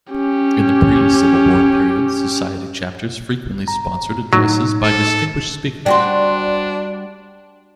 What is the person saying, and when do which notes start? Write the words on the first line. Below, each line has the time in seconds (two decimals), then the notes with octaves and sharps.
In the pre-Civil War period Society chapters frequently sponsored addresses by distinguished speakers.
0.12 C#4 G4
3.68 A#5
4.33 A2 F#3 D#4
4.84 A4
5.86 G3 D4 F#4 C5